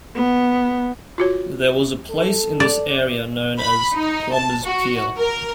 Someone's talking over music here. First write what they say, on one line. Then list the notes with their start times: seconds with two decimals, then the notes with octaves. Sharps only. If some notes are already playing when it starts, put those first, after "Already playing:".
There was a place in this area known as Plummer's Pier.
0.15 B3
1.18 F4 F#4 C#5
2.10 A4
2.60 D5
3.59 B5
3.94 D#4
4.34 A5
4.65 F#4
5.18 A#4